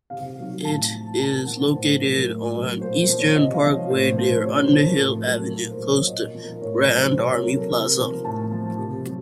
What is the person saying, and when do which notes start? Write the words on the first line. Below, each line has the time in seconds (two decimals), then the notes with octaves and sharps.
It is located on Eastern Parkway near Underhill Avenue, close to Grand Army Plaza.
0.10 C3 F5
0.38 D#3 F#3
0.65 A2 A5
0.92 F3
1.19 A#2 A5
1.46 F3 F#5
1.73 A2 C5
2.00 F#3 A#4
2.27 A2 A#4
2.55 F#3
2.81 A#2 C5
3.00 C5
3.09 F3
3.18 C#5
3.36 C3 D#5
3.54 F5
3.63 F3
3.72 C#5
3.90 A2 C5
4.17 F3 C5
4.44 C3 C#5
4.58 A#4
4.62 C5
4.72 F3
4.81 A#4
4.98 A2 A4
5.26 F#3 A#4
5.53 A#2 A#4
5.71 C5
5.80 F#3
5.89 C#5
6.07 A#2 D#5
6.34 F3
6.43 A#4
6.62 A2 C#5
6.79 C5
6.89 F#3
6.98 C5
7.16 C3 A#4
7.29 C#5
7.43 F#3 A#4
7.57 A4
7.70 C3 A#4
7.97 F3 A#4
8.24 A2 A5
8.51 F3
8.78 C3
9.06 F#3